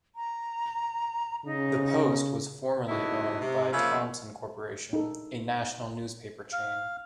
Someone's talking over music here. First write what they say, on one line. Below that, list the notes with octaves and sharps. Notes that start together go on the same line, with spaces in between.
The "Post" was formerly owned by Thomson Corporation, a national newspaper chain.
A#5
C#3 D#4
G2 C#3 D#4 E4 F#4
C3
C#3 F3 A#3 F4 E5
D#4 A4
F5